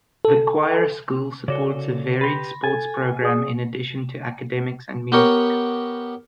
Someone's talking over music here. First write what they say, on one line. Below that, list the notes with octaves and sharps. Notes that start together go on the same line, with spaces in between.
The Choir School supports a varied sports programme in addition to academics and music.
A4
C#3 F#4 A4 C#5 D5 D6
G4 B4 B5 C6 A#6
A4 G#5 A6
G#4 D5 D#6
B3 G4 A#4 C#5